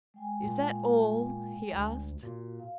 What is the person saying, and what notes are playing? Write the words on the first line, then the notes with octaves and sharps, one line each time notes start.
"Is that all?" he asked.
G#3 G5 G#5
A#2
D2
A#2 F#4
F5